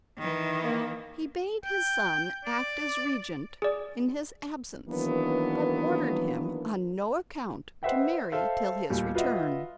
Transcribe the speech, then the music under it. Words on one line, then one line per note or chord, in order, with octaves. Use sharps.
He bade his son act as Regent in his absence, but ordered him on no account to marry till his return.
D#3 E3
A#3
G5
D5
G#4 D5
D#3 E3 F#3 A#3 B3 D4
B4 C5 D#5 E5 F#5 G5
A4 C5 E5 F5
D#2 A#2 G3
F4 B4 D#5 E5 F#5